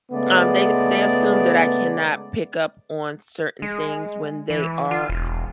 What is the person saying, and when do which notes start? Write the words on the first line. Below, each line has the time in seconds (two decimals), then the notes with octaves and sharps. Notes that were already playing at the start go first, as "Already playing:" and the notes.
um, they they assume that I cannot pick up on certain things when they are
0.12 C#3 G#3 A3 B3 D5
3.62 G#3
4.50 E3
4.91 F4
5.10 E1